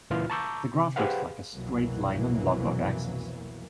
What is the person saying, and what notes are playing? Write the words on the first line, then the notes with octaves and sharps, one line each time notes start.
The graph looks like a straight line on log-log axes.
C#2 A#2 E3 F4 F6
A5 A#5 C#6 D6 E6 G6
C3
G4 G#4 B4 C5 F5 F#5
C2 F2 B2 E3 F#3 A#3